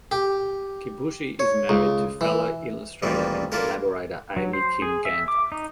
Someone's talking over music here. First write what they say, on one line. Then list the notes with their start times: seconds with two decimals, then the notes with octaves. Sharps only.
Kibuishi is married to fellow illustrator and collaborator Amy Kim Ganter.
0.11 G4
1.40 C#5
1.69 C#2
2.21 E3
3.02 D2 A#2 D#3 E3 G3 C4
3.52 A#3 D4 E4 F4 A4 A#4
4.37 F#3
4.53 C5
4.82 G#4
5.05 E5
5.28 D6
5.52 D#4